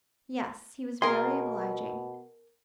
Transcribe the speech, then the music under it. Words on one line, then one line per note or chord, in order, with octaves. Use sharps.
'Yes; he was very obliging.
B2 G#4 A#4 C6